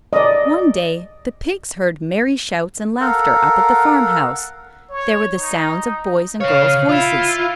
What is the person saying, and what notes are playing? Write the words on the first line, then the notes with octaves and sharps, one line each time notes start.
One day the pigs heard merry shouts and laughter up at the farmhouse. There were the sounds of boys' and girls' voices.
D5 D#5
A4 A#4 F5 F#5
C#5
D#4
C#3 C#5 F5
E4 F4